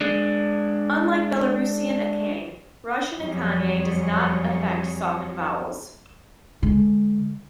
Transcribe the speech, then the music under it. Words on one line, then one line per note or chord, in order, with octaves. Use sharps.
Unlike Belarusian akanne, Russian akanye does not affect softened vowels.
G#3 D4
F2 F#3 G3 G#4 C#5
D3 G#3